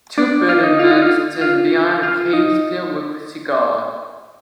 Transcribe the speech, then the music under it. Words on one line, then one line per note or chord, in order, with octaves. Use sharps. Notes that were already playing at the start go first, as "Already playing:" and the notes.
Two bearded men stand behind a case filled with cigars.
D4
F4
D#4
F4
D#4
F4
F4
F4
D#4